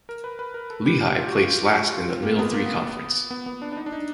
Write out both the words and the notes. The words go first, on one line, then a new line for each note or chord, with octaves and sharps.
Lehigh placed last in the Middle Three Conference.
A#4
B4
B4
A#4
A4
G4
G4
F4
F#4
F4
F4
C4
A#3
B3
A#3
B3
B3
B3
D4
D4
D#4
D4
D#4